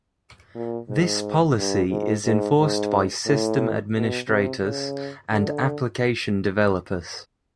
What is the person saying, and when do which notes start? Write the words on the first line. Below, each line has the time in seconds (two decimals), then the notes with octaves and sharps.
This policy is enforced by system administrators and application developers.
0.55 A#2
0.89 G#2
1.57 G2
1.91 G#2
2.25 G#2
2.59 G#2
3.26 A2
3.95 B2
4.28 C3
4.62 C#3
5.31 D3